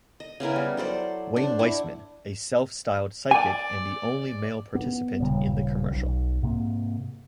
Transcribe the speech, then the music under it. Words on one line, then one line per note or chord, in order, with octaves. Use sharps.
Wayne Weiseman, a self-styled psychic and the only male participant in the commercial.
D#5
C#3 B3 E4 A#4
G3
F#3 A4 C5 D5
D4 C5
E4 F#5 D6
D5 G#5
B3
D#1 C#3 G3
B1
G#2 C3 A#3